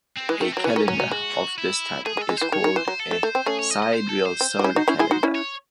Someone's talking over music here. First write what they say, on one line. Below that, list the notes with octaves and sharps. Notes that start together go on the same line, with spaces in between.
A calendar of this type is called a sidereal solar calendar.
C4
E3 G#3
D#3 A3
F#3 C4
E3 C#4
D#3
F#3 C#4
F#3
G#3 F#4
E4
A3 G#4
G#3
A4
G#3
E3 C5
D#3 C#5
D#3
E3 C5
F#3
A4
A3
A3 C5
C4
A3 C#4 G#4
C#5
D#5
D#5
C5
A4
C5
C4
F#4
C#4 E4
D#4 F#4
C#4 E4
E4 G#4
D#4 F#4
C#4 E4
C#5